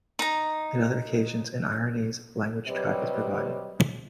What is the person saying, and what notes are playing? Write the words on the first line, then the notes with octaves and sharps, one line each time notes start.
In other occasions, an Aranese language track is provided.
D#4 A#5
C3 F#3 G3 B4 C#5 D#5